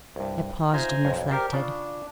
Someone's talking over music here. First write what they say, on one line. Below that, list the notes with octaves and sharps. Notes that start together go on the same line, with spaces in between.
I paused and reflected.
C2 G2
D#4 F4 C5 E5 G#5 A#5
B1 F2
G4 A#4 C5 D5
C#3 D4 F4